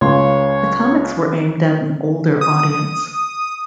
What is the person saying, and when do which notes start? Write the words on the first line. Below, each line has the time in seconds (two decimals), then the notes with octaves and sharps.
The comics were aimed at an older audience.
0.01 C#2 C#3 C#5 C6
2.41 D#6